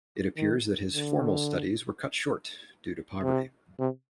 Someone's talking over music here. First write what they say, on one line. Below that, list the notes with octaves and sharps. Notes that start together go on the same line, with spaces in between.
It appears that his formal studies were cut short due to poverty.
D#3
D3
C3
C3